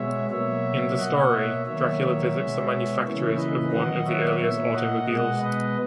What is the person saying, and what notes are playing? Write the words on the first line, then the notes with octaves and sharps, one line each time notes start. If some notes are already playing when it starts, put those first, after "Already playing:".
In the story, Dracula visits the manufacturers of one of the earliest automobiles.
Already playing: B2 G#3 B3 C#5 E5
B2 F#3 A#3 C#5 E5
B2 A#3 D#5 F#5
C#5 E5
D#3 F#3 A#3 C#5 E5
B2 G#3 B3
C#3 E3 A#3 C#5 E5
B4 D#5
D#3 F#3 B3 D#5 F#5
C#5 E5
A#2 A#3 C#5 E5
D#5 F#5
B2 G#3 B3 D#5 F#5
B4 D#5